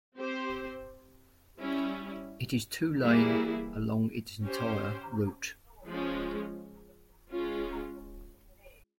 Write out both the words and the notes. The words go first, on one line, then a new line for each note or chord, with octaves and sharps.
It is two-lane along its entire route.
C4 G4 C5
G3 C#4 E4
E3 G3 A#3 E4 G#4
C#4 G4 C5
F3 G#3 C#4
G#3 C#4 F4